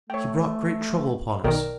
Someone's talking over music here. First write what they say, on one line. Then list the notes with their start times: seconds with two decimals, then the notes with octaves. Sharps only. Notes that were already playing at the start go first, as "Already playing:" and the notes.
He brought great trouble upon us.
0.10 A3 C#5 G5
1.44 B1 D#3 A#4 D5 G5